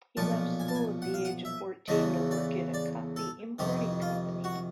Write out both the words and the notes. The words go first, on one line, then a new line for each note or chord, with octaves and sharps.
He left school at the age of fourteen to work in a coffee-importing company.
B1 A#2 F3 A5
G#5
A5
G#5
F#5
F5
F#5
E5
E2 C#3 E3 A3 D#5
D5
D5
A4
F2 C3 D#3 G4
F4
F#4